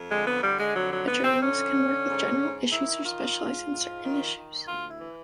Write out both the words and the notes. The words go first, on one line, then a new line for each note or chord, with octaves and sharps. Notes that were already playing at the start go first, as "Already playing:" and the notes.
A journalist can work with general issues or specialize in certain issues.
Already playing: F2
D3 G#3
B3
D3 G3
G#3
F2 F#3
F#3
F2 B3
C4
D3 C#4
D3
G#2
G#2
D#3 E4
D#3 F4
G#2
G#2
D#3
D#3
D2 F4
E4
E3